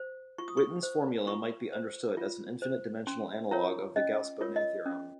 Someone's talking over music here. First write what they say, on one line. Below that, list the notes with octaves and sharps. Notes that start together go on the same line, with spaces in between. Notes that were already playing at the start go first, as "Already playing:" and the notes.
Witten's formula might be understood as an infinite-dimensional analogue of the Gauss-Bonnet theorem.
Already playing: C5
F4 C#6
D#6
C#6
C5
F4 C#6
C5
F4
C5
C#4 C6
F4 A#4 C#5 A#5
C#4 D#5
F4 A#4 C#5
D#5
C#4